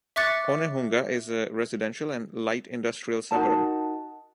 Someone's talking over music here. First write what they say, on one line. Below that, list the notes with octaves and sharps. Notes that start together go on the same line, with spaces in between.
Onehunga is a residential and light-industrial suburb.
E5 C#6 D6 F#6 A6 C#7
D#4 F#4 A#4 A5